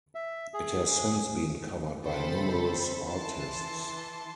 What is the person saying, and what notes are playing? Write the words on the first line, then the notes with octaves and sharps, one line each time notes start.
It has since been covered by numerous artists.
E5
G#4
C#3 C4 A4 C5 B5 A6
E3 A5 C6